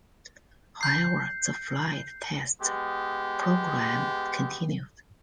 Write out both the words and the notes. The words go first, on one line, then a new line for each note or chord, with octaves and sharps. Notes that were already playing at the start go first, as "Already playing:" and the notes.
However the flight test program continued.
G6 C7
G#3 B3 G4